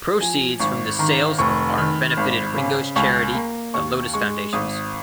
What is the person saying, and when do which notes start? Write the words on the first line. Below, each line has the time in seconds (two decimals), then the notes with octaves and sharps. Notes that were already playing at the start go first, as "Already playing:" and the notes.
Proceeds from the sales of art benefited Ringo's charity The Lotus Foundations.
0.21 F3 G#5
0.60 G#1 C#6
0.99 D#3 A#5
1.38 F1 C#6
1.77 D#3 B5
2.17 G#1
2.57 C#3
2.96 C#2 C#6
3.34 A#3
3.74 D#2 C#6
4.14 G#3 C#6
4.53 G#1 D#6